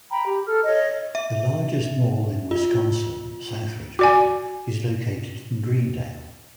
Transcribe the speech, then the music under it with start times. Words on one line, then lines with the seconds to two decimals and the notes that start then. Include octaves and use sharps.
The largest mall in Wisconsin, Southridge Mall, is located in Greendale.
0.11 G5 A#5 B5
0.26 G4
0.47 A4 F6
0.65 C#5 D#5
1.15 E5
2.51 F4
3.99 F#4 D5 G#5